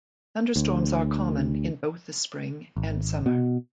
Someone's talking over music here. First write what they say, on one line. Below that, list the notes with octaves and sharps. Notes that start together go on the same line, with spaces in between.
Thunderstorms are common in both the spring and summer.
D2
G#1
B2